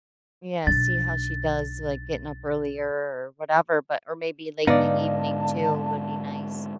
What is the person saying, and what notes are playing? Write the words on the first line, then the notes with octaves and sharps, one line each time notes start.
yeah, see how she does, like, getting up earlier or whatever, but or maybe late in the evening too would be nice.
B1 D4 A6
G#2 D3 B3 D#4 D5 F5 A5